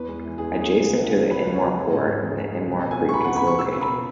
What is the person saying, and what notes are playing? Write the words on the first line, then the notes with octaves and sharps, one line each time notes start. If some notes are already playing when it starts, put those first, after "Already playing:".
Adjacent to the Ennore Port the Ennore Creek is located.
Already playing: E2 B4
G#3
E3
E2 G#4
E2
G#4
G#3
C#2
C#2
C#2
C#2 B4
C#2
C#5
C#2
G#3
G#2
G#2
G#3
G#3
G#3
C#2
B2
G#5
C#2
C#6
B2 B5
C#2 F#5
B5
B2 C#6
B2 E6
C#2
B5
B2